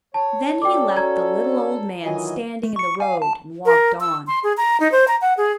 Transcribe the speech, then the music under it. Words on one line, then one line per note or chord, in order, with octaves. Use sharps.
Then he left the little old man standing in the road, and walked on.
C#5 A5
C#4 F#4 A4 D5 G5 D6
A#5 G#6
D#3 E3 F#3 F4 D#5 G#5
A3
C#6 C#7
F5 G#5
A5
A#4
E6
C6
G#4
A#5
D#4
C5
A#5
F#5
G#4